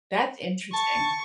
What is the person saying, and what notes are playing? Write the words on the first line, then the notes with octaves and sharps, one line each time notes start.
That's interesting.
A5 C#6